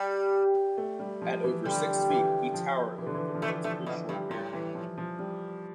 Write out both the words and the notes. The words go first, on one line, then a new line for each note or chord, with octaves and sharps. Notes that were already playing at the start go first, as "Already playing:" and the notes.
At over six feet, he towered over the relatively short Barry.
Already playing: G3
A3
G3
F3
E3
D3 G3
E3
F3
E3
D3
E3
F3
E3 A3
F3 A3
B2 E3
G2 G3
A2 G3
E3
F3
F3
G3